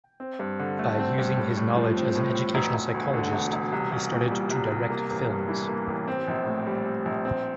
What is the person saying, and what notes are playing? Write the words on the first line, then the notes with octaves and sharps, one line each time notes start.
By using his knowledge as an educational psychologist he started to direct films.
C4
G2
D3
A3
C4
G2
A2
A2
F3
C4
A2
A2
E1
E1
D2
D3
E1
E1
C2
C2
A#2
G3
C2
C2
A#3
A1
G2
E3
A#3
A1
C4
A#1
A2
G3
C4
A#1
C4